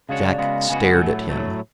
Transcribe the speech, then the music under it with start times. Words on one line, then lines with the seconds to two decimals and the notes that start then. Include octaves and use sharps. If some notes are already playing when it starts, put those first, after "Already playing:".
Jack stared at him.
0.09 C#3 G#3 D4 F#4 C#5 F5
0.23 D5
0.38 C#3 G#3 B3 F#4 F5
0.69 C#3 G#3 B3 F#4 G#5
0.84 F#5
0.99 A2 F#3 A3
1.29 A2 F#3 A3